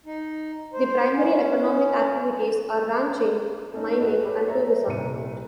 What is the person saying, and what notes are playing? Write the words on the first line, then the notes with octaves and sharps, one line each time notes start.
The primary economic activities are ranching, mining, and tourism.
D#4
C5
C#4
A3 C#4 D#4
F#4 A4 B4 D#5
G4 B4 C#5
C5 C#5 E5 A#5
D#1 C2 C5 E5 C#7 D#7